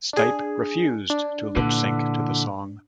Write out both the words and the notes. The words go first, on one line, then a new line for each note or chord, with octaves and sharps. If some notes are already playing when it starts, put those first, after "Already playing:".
Stipe refused to lip sync to the song.
D4 G#4
D4
A#2 D3 E3